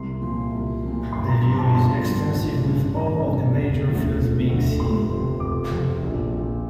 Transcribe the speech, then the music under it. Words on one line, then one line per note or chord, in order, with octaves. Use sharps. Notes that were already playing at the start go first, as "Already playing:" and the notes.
The view is extensive with all of the major fells being seen.
Already playing: C2 C6
A#2 F3
C2
A#2 F3
G1 C6
A#5
G2 F3 A#5
A5
G1 C6
G2 F3
A1
G2 D3
A1 A#5
G2 D3
E1
D2 D3 F3
E1
D2 D3 F3
F1 C6
F2 C3 F3
F1 D6
F2 C3 F3
A#1
A#2 F3